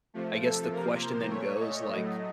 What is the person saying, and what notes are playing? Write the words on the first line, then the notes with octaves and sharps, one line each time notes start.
I guess the question then goes, like,
C3 F3 A3
A4
C3 F3 A#3 A#4
C5
A#2 A3 C#5
D#5
A2 F#3 A3